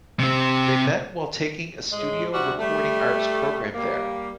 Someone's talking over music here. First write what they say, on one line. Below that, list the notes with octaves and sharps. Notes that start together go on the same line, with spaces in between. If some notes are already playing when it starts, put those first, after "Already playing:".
They met while taking a studio recording arts program there.
C3 C4
A2 G#3
D2 C3 G3 F#4
G3 A3
G3 A#3